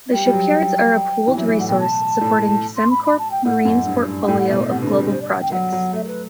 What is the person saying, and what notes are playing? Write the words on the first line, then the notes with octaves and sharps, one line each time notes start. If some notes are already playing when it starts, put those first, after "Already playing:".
The shipyards are a pooled resource, supporting Sembcorp Marine's portfolio of global projects.
G3 G5
G3
F#3
E3
F#3 E5
E3 E5
A2 F#5
B2 G5
A5
A2
C6
B5
B5
A5
G5
A2 F#5
F#2
G2
G2
F#5
A2 G5
F#5
B2 E5
C5
D5
C3 F#5
D3 B4
A4
G3 B4
C5
D5
F#5
G5
F#3 F#5
F#3
A3 E5
A4
B4